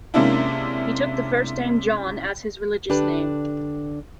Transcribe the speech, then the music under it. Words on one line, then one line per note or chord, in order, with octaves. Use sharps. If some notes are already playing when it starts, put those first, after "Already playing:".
He took the first name John as his religious name.
C3 G#3 A#3 C#4 D4 E4
D3 D4 G4 A4 B4